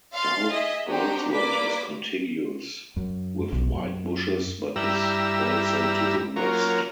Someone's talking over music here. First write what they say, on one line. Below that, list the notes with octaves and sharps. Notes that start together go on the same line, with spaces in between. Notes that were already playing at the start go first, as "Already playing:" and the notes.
South Earlswood is contiguous with Whitebushes but is also to the west.
F5 C6 A6
G#4 D#5 E5
C4 D4 D#4 F#4 G4 A#5
A#3 B4 D5 D6 B6
F#2
B1
F#2
G2 G3 E4 A#5 E6
F#3 A#3 C#4 F4 A#4